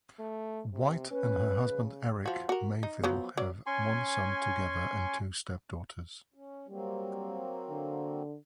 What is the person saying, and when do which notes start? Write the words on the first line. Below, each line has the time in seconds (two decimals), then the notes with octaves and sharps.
White and her husband Erik Mayville have one son together and two stepdaughters.
0.19 A3
0.73 C3
1.11 C#4 B4
1.67 C#3
2.26 F3 F#4
2.49 F#4 A#4
2.83 D#4
3.04 F3 F#3 B3
3.37 F#3 D5
3.66 C#4 G#5 C6 C#6
6.34 C#4
6.69 F#3 G3 A#3 C4
7.70 D3